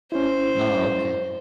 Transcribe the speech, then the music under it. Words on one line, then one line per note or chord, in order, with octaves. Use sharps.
Oh, okay.
C#4 E4 C5